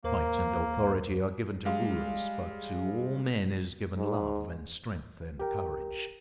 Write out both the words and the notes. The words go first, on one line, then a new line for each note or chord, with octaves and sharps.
Might and authority are given to rulers, but to all men is given love and strength and courage.
D#2 A#3 A#4 C5
G3 G#3 F5
G#2
G4 A#4 G5